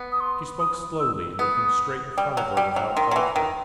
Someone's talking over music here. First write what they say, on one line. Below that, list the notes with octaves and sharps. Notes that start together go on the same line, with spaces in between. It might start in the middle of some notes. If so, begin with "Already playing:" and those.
She spoke slowly, looking straight in front of her without faltering.
Already playing: B3
D#6
C6
D#6
E6
B3 D#6
G3
F#3
G3
F#3
D#3 C6
F#3
E3
D#3